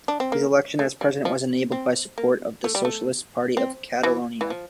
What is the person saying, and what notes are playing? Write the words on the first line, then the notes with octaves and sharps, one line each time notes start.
His election as president was enabled by support of the Socialists' Party of Catalonia.
D4
C4
A#3
A3
G3
F3
C4
A#3
A3
G3
A3
C4
E3
E3
F3